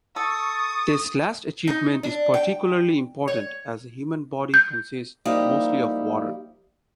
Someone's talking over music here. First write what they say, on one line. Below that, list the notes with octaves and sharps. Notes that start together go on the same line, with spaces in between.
This last achievement is particularly important as the human body consists mostly of water.
A4 C#6 D#6 A6
D#4
D4
G5
C#5
G6
F3 G3 A#3 D#4 E4 G4